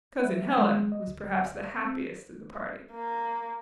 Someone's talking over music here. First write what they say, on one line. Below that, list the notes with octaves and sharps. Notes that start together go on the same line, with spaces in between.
Cousin Helen was perhaps the happiest of the party.
E5
G#3
D#5
D2
C4
A#3